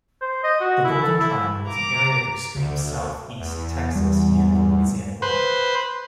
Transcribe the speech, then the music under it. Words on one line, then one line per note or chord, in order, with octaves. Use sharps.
The Golden Triangle is an area of extreme Southeast Texas near the Louisiana border.
C5
D#5
F#4
E4
A4
E4
A#5 D6
D2
E2
E2 G3
B4 C5